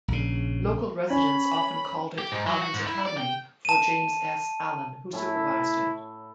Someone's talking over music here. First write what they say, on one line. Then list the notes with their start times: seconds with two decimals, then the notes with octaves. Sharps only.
Local residents often called it Allen's Academy, for James S. Allen, who supervised it.
0.08 A#1 C#3
1.10 C#4 B5
2.18 G4
2.32 G#2
2.47 F#3
2.62 F#4
2.74 G#2
2.86 E4
3.05 D5
3.17 G5
3.65 A5 D#7
5.13 A2 E4 A4 B5